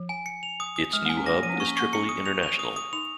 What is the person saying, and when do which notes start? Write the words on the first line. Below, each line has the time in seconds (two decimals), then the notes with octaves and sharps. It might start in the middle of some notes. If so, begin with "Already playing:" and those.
Its new hub is Tripoli International.
Already playing: F3
0.09 G#5
0.26 C#7
0.43 F7
0.60 D#6
0.76 D#6
0.93 G#3 F6
1.06 A#3 G#5
1.17 C#4
1.26 A#3 A#6
1.43 F3 D#7
1.49 C#4
1.56 A#3 C#6
1.67 C#4
1.77 A#3 C#6
1.93 C#4 C#7
2.09 D#6
2.26 F7
2.43 F7
2.59 D#6
2.76 D#6
2.93 D#4 F7